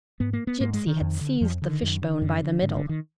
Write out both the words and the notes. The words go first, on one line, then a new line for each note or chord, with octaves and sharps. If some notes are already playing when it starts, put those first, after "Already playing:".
Gipsy had seized the fishbone by the middle.
G#2 B3
A#3
B3
G#2 A#3
G#3
D#3
F2
D3
F2 F3
D3
D#3
F#2
D3
F#2 D3
D3
G#2 D3
D3
D#3